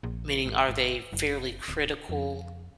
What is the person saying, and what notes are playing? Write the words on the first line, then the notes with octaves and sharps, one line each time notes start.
Meaning, are they fairly critical
A#1
G#1
G#1
F#1
D1
F2